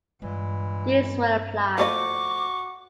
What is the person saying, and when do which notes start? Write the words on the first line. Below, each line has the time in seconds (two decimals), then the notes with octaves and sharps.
These were applied.
0.22 G2 A#2 E3 G#3
1.78 F3 A3 F#4 D#5 C#6 D6